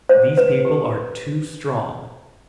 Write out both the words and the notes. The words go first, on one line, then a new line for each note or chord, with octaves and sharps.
These people are too strong.
C5
B4
G4